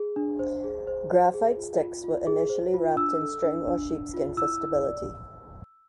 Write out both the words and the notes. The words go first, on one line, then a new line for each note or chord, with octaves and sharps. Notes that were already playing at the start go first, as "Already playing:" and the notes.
Graphite sticks were initially wrapped in string or sheepskin for stability.
Already playing: G#4
D4
C5
G#4
C5
C5
G#4
F4
F4
F4
G#4
C5
F4
D4 E6
A4
D4
D4
D4
F4
E4 E6
E4
D5